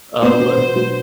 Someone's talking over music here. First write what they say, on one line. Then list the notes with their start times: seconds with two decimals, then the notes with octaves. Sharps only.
um, but
0.22 B3 C5
0.39 B2
0.57 B2
0.76 F#3